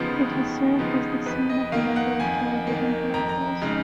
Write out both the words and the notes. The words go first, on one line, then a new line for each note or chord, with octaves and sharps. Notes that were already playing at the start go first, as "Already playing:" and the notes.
It has served as the scene of a number of television commercials.
Already playing: D#2 C#3 F3 B3 D#4 B4
D#2
C#3 F3 B3 D#4
F2 B4
D#5
D#3 A#3 F5
F#5
F2 G#5
D#3 A#3
F2 A#5
A#5
C#3 G#3 D#4